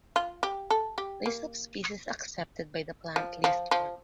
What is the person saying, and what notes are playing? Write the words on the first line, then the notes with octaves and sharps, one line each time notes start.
List of species accepted by The Plant List Org.
F4
G4
A4
G4
A#3
F3
F3
F3